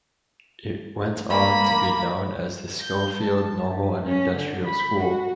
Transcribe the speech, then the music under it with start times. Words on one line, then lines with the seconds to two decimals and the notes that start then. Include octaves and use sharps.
It went on to be known as the Schofield Normal and Industrial School.
1.30 A#3 B5
2.80 G6
3.20 A5
3.66 G2
4.04 C#4
4.35 D3
4.64 B5
4.99 F#4